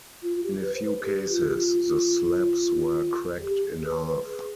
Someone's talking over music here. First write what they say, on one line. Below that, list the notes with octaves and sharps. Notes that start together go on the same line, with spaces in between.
In a few cases the slabs were cracked in half.
F4
F4
G4
B4
C5
B4
G4
F4
G4
F4
F4
G#4
G4
G#4
B4
B4
G#4